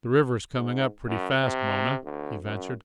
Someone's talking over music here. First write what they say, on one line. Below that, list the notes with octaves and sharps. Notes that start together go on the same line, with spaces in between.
"The river's coming up pretty fast, Mona," he ventured.
G#2
F#2
C3
D2
F#2